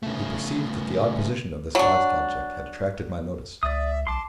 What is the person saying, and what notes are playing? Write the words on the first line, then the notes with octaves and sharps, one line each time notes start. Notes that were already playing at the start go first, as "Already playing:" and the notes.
He perceived that the odd position of this last object had attracted my notice.
C#3 A3
F#3 D4
C#2 D5 E5 D#6
B1 A5 C6 D6